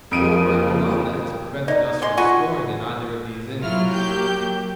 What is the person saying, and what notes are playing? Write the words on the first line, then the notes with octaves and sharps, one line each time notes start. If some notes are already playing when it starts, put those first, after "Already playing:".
It's your work alone that has prevented us from scoring in either of these innings.
F2 F3 A#3 D7 D#7
D#4 D5
G#3 C6
F4 F#4 G#5 C#6
F#3 E4 F4 F6
A#3 G4 G6